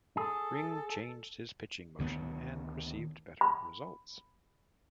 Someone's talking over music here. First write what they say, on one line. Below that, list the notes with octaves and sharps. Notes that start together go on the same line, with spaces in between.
Ring changed his pitching motion and received better results.
G#4 A4
D2 D#3 B3
B5